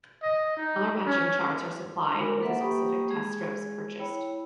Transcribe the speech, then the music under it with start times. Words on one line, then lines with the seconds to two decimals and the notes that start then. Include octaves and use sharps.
Colour matching charts are supplied with the specific test strips purchased.
0.22 D#5
0.57 D#4
1.06 C#4
2.14 G#3 D#4 F#4 A#4 B5 D6
2.40 A#3 A4 B4 E5 F#5
2.60 A#3 G4 G5 B5 C#6 D#6
3.09 G#3 G#4
3.99 E4 C#5 G5 B5